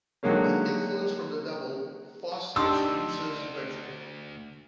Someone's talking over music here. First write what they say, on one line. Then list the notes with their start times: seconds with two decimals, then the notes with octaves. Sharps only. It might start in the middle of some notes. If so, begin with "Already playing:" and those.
With influence from the devil, Faust seduces Gretchen.
0.23 D3 D#3 F#3 G#3 A#3 C#4
2.56 D2 D4 D#4 G4 C6 E6